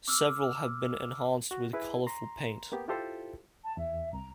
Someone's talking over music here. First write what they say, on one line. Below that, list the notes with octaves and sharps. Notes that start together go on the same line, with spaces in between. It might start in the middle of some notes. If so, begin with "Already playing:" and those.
Several have been enhanced with colourful paint.
D6 E6 F6
F#4
E4 G#4 B4
A#5 C6
A#3 B3 G4
E4 F4 G4 A4 C5
A5
E2 E5
C2 A#5